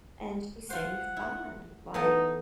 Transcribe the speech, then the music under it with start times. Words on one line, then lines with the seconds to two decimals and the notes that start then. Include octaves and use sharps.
and she seemed fine. Like
0.70 F4 C5 F#5
1.17 E4
1.94 E3 B3 D#4 A4